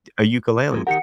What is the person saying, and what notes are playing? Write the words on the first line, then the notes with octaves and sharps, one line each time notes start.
a ukulele.
F2 A#2 G#3
D#3 G4 A#4 F#5 C#7